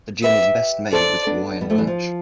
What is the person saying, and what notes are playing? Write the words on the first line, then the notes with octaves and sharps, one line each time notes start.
The gin is best made with Hawaiian Punch.
G4 B4 E5
A4 C5 D5
B3 D4
G3 B3
F3 A3
E3 G3
F3